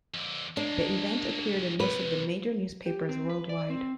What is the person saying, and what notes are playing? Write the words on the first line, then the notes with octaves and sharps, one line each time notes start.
The event appeared in most of the major newspapers worldwide.
F2 D3
G#3 A#3 D4
B1 C3 B4
G4
C4
B4
D5
C4